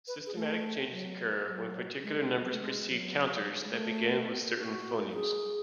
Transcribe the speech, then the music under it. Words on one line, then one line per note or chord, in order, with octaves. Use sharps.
Systematic changes occur when particular numbers precede counters that begin with certain phonemes.
B4
G#4
A3
F#3
F#3
G#3
G#3
G#3
F#3
A3
G#3
F#3
G#3
A3
F#4
G#4